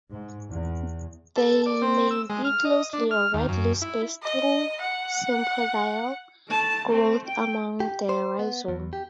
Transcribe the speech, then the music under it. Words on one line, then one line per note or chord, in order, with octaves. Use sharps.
They may be closely or widely spaced through sympodial growth along the rhizome.
G#2
E2
A4
D5
C4
E6
G#3
F6
D#5
D4
F6
D#2
F#2
E4
D#5
F#5
A3 A5
A3 C4
G5
G4
C5
B3
E2
G4